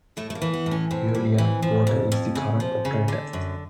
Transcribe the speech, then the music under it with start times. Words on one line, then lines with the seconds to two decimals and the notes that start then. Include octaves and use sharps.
Veolia Water is the current operator.
0.17 A2 A3
0.30 A3
0.35 A#3
0.42 E3
0.54 B3
0.66 A2
0.71 C#4
0.91 A2 C4
1.15 G3
1.38 E3
1.62 F3
1.87 F2
2.12 F2
2.35 C#3
2.60 F3
2.85 C#3
3.08 D3
3.33 F#2